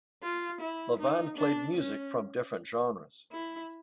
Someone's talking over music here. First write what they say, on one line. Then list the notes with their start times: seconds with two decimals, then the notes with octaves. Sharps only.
Levan played music from different genres.
0.23 F4
0.61 E4
1.00 D#4
1.38 D4
1.77 C#4
3.32 E4